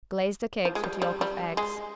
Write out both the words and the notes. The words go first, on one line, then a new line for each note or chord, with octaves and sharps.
Glaze the cakes with yolk of eggs.
F3
G#3
G3
G3
G3
G#3